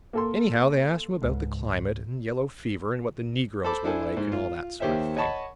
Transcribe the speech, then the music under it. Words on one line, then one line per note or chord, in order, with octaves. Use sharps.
Anyhow, they asked him about the climate, and yellow fever and what the negroes were like and all that sort of thing.
A#3 A4 C6
C#2 G#2
A4 C5 A5 B5 D6
D4 E4 A4 C5 G#5
G#2 C5
F4
D#2 G4 C5 C#5 E5
C#5 D#5 F#5 A5 B5 C#6